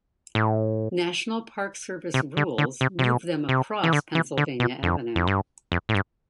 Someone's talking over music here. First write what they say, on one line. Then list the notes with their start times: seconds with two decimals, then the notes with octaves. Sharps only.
National Park Service rules moved them across Pennsylvania Avenue.
0.35 A2
2.14 C3
2.37 D3
2.58 D3
2.81 C3
2.99 C3
3.04 B2
3.49 C3
3.84 E3
3.93 D3
4.15 E3
4.38 D3
4.60 B2
4.83 F2
5.16 F2
5.27 G2
5.72 F2
5.89 A2
5.95 G2